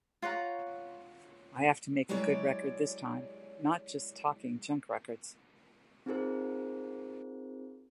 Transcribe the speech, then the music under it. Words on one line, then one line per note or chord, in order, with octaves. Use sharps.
I have to make a good record this time, not just talking-junk records.
F4 C#5 F#5 A#5
F#3 G#3 E4 G4 C#5 D5
C4 D#4 F4 G#4 A#4 C5